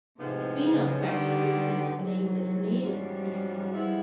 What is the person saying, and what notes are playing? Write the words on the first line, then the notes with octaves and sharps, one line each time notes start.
"Be not vexed with this blameless maiden," he said.
A2 C3 F3 G#3 B3 D#4
C#3
D3 D#3 G3 B3 D#4 G4
E2 C3 D#3 F#3
G#2 F3 G3 G#3 C#4 F#4
F3 G#3 B3 E4